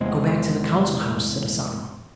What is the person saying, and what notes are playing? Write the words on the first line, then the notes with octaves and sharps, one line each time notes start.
"Go back to the Council House," said Asano.
E2 C3 G#3